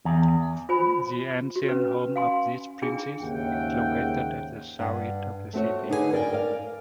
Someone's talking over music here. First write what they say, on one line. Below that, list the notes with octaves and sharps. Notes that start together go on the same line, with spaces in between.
The ancient home of these princes is located at the south-east of the city.
E2
F4 C5 G#5 B5
F#4
C#4 B4
F5 G#5 C6
D4 E4 G#4 G5
D#2 G#2 C#3 E5 F#5 G5
G2 F#5
A3 C4 F#4 C#5
D3 D#4 G#4 B4 C5 G#5
A#4 D5 E5 G5 G#5
A#4 D5 F5